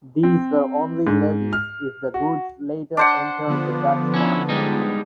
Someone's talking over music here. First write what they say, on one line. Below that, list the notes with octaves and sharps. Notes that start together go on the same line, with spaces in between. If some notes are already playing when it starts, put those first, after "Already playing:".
These were only levied if the goods later entered the Dutch market.
C4
G#2
F6
F#4
D4 C5 F#5
D3 F3 B3
C#4 E4
G3 G#3 D#4